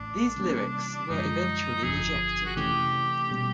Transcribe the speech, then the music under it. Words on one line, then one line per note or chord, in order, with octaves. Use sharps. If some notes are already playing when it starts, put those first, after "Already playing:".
These lyrics were eventually rejected.
Already playing: A1 A2 E3 A3 D4
C3 E3 G3 A#3 C#4
F#2 D3 F3 G#3 D#4
G1 F2 D3 F3 G#4
F#4
C3 E3 A3 C#4 G4
B2 G3